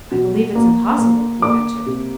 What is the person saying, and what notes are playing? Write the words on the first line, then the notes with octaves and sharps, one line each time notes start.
"I believe it's impossible," he ventured.
B2
A#3
A#3
A#3 D6
C3